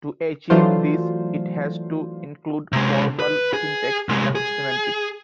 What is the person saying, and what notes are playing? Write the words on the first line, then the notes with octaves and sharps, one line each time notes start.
To achieve this it has to include formal syntax and semantics.
E3 F#3 A3 D4 F4 C5
C3 G#3
B4
G#4
C2 G#3
G#4